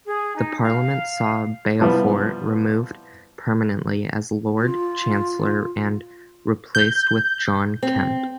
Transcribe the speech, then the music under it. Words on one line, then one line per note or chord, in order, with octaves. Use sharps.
The Parliament saw Beaufort removed permanently as Lord Chancellor and replaced with John Kemp.
G#4
D#4
F5
C3 E3 F3 G3 B3
F4
G6
C4